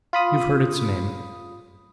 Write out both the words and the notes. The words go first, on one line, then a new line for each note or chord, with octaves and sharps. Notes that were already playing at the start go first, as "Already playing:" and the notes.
You've heard its name.
F4 B5 D#6